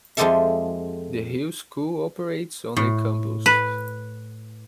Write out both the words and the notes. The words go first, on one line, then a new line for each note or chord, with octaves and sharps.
The Hill School operates on a campus.
F2 F3 G#3 G4 A4 E5
A2
B4